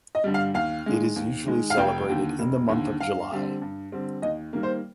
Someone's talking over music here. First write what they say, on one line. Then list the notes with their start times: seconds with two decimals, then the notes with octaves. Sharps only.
It is usually celebrated in the month of July.
0.15 D#5
0.24 G2 D3 G3
0.34 F5
0.54 D#2 F5
0.86 D#3 G#3
1.16 D#2
1.46 D#3 G#3
1.70 F5
1.78 F1 G5
2.09 D#2 D3
2.39 F1
2.69 D#2 D3
3.00 G2 F5
3.32 D3 G3 C4
3.62 G2
3.92 D3 G3 C4
4.22 D#2 D#5
4.53 D#3 G3 A#3
4.63 C5